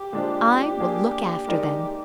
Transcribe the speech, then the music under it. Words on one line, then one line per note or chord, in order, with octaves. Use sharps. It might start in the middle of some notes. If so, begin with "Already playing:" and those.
"I will look after them."
Already playing: G4
A#2 G#3 D4 F4 C5
A#3 D4 G#4
G#3 D#4 A#4 D5